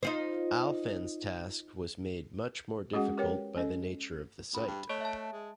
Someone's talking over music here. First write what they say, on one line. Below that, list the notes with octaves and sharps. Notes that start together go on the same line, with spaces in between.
Alphand's task was made much more difficult by the nature of the site.
D#4 F4 C5
G#3 C#4 F#4 G#4 D#5 F#5
G4 A#4 B4 C#5 G5
C#4 A4 D#5
C#2 B5
G2
A3 C#5 D#5 C#6
E5 A5
G#3